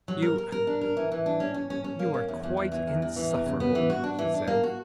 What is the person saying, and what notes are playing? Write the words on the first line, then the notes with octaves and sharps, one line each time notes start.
"You... you are quite insufferable," she said.
F#3
A#4
A#4
A#4
D4
A#4
E3
E3
D4
C#4
C#4
C#4
C#4
A#3
C#4
E2
E2
E2
E3
E2
E2
E3
E2
C#3
B3
E3
F#4
D4
E3
D4
A#3
F#4